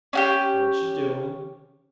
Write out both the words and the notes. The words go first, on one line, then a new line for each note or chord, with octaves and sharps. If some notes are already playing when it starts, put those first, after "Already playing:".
"What you doin'?"
C#4 F#4 G4